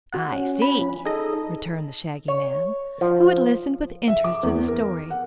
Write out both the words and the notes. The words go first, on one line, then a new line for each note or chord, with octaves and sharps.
"I see," returned the Shaggy Man, who had listened with interest to the story.
F#4 F#5
C#4
B5
F3
D#4 G#4 A4 D#5
C#5
F3
E5
D6
E2
A#4
F#5